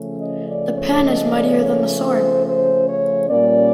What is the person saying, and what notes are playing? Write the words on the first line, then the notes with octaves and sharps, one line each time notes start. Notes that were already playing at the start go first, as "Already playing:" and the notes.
The pen is mightier than the sword.
Already playing: C#3 F3 A3 C#4
D#5
D5
C#5
D#5
D5
C#5
C5
C5
C#5
A#2 G3 A#3 C#4 D5